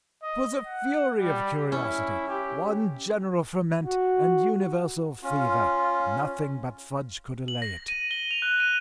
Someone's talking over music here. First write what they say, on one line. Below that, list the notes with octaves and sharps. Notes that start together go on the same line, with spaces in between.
'Twas a fury of curiosity, one general ferment, and universal fever--nothing but fudge could allay it.
D#5
F#5
G3
C#4 E4
G4
F#4
C#4 F4
F#7
A#6
D#7
G7
F7
F#6
D#7